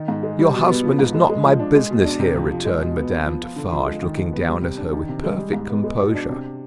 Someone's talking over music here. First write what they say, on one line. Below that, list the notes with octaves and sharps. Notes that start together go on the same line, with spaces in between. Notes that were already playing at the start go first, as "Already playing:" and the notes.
"Your husband is not my business here," returned Madame Defarge, looking down at her with perfect composure.
Already playing: D#3 D#4
G#2
G#3
G3
B2
B3
F3
G#2
G#3
G#3
F3
D4
G#3
B2
D4
C3
F2
F3
G#3
B2
B3
B3
F3
F4
D3
F2
G#3
D#3
F2
B3
G3
C3
D4
D#3
C3
G#3
G3
G#2
B3
G#3
B2
D4
C3